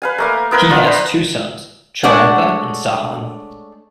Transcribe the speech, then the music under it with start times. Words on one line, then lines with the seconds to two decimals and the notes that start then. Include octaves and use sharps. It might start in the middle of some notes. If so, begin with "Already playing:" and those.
He has two sons, Chirantha and Sahan.
0.02 B4 F5 G#5
0.18 A3 A#3 F5
0.51 B3 E4 A#4 B4
0.69 F3 D4 F4 F#5
0.85 B4 C5
2.04 G#3 A3 D4 C#5 F#5